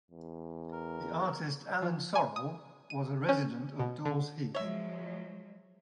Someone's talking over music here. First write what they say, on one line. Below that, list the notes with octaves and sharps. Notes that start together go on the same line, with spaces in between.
The artist Alan Sorrell was a resident of Daws Heath.
E2
A#4
F3
G#5
D#6
D#7
C#4
B2
D3
F3 F#3 G#3 C#5 E5